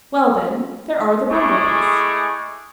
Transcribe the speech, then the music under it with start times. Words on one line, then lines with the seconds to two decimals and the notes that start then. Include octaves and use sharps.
"Well, then, there are the Bumble-Bees."
1.30 G#3 A3 E4 G#4 C#6 D6